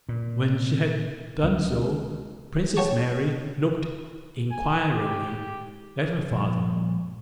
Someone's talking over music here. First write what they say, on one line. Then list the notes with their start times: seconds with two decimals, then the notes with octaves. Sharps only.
When she had done so Princess Mary looked inquiringly at her father.
0.09 A#2
1.43 C#2
2.77 C#5 F#5 G5 A5 C#6
4.51 G#5
4.94 G4
6.31 A#2 F3 G3 G#3